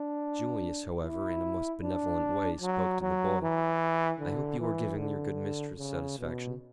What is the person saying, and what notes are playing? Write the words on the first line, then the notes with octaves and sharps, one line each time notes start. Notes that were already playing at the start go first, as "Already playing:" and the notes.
Julius, however, in a most benevolent way spoke to the boy--"I hope you are giving your good mistress satisfaction?"
Already playing: D4
E4
D4
F#3
F#3
E3
D3
E3
D3
C#3
B2